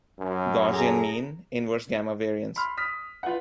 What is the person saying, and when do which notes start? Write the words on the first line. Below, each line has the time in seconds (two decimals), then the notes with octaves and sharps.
Gaussian mean, inverse-gamma variance.
0.19 F#2
0.72 G#4 A4 A#5
2.56 B5 C6 F6
2.77 D#6 F6 B6
3.23 F4 B4 F#5